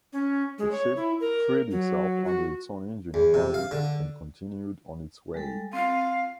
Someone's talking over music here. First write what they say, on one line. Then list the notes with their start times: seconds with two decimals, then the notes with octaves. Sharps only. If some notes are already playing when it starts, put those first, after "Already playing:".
The ship freed itself under its own engine power and continued on its way.
0.13 C#4
0.58 G#3
0.72 C#5
0.96 E4
1.20 A#4
1.71 F#3
2.25 F#4
3.14 E2
3.34 C3
3.54 F5
3.71 D3
5.34 G3 G#3 A4
5.73 C4 F5